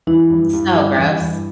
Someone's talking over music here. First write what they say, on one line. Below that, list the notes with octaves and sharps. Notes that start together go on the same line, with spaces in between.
It's so gross,
E3 E4
G2
G2
G3
E3
G2